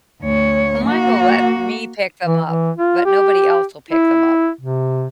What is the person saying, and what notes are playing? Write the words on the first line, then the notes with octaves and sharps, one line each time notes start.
Mine will let me pick them up, but nobody else will pick them up.
D2 C#5
A#3 F#4
E3
E3
F4
G4
E4
C3